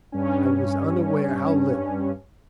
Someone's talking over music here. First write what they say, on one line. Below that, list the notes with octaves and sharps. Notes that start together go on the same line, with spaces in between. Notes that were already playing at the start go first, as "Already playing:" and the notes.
I was unaware how little.
G2 C#4